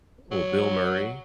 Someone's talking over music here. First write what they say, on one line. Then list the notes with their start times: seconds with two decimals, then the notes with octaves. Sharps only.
Ooh, Bill Murray?
0.31 F#3